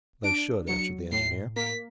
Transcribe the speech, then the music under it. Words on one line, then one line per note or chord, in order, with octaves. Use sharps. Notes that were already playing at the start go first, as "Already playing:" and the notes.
"They should," answered the engineer.
D4 D7
F#3 C#7
A2 C7
A#3 B6